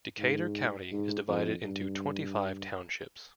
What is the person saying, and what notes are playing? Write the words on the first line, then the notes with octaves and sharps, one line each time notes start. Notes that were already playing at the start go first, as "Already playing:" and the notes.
Decatur County is divided into twenty-five townships.
G#2
G#2
F2
G2